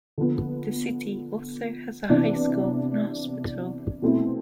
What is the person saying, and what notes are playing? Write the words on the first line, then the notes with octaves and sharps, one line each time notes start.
The city also has a high school and hospital.
D3 F3 B3
C3 E3 B3 D4
B2 A3 C4 E4